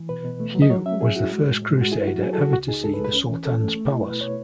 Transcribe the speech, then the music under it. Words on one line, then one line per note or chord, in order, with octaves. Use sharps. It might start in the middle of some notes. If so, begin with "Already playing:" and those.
Hugh was the first crusader ever to see the sultan's palace.
Already playing: E3
B2 B4
B2
A3
F#3
D#5
F#3 C#5
C#4 E5
A2 G#4
E4 F#4
G#3
A2
A2
G#3 F#4
E4 G#4
F#3 F#4
F#3 G#4
A4
C#3 F#4
C#2 F#4
D#4 G#4
G#3 A4
B4
C#2
B4
C#4
E3
C#4 A4
A3
A3
E4
B2 B4
B2 C#5